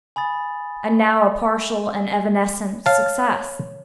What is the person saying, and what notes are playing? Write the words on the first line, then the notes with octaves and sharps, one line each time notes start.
And now a partial and evanescent success.
G#5 B5 D#6 A6
C#5 F5 A5